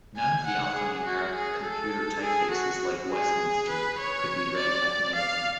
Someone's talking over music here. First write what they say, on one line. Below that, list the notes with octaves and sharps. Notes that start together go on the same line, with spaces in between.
None of the alphanumeric 'computer' typefaces like Westminster could be read magnetically.
G#5
F#5
G#4
F#4
G#4
A4
G#4
F#4
G#4
B4
C#5
D5
F5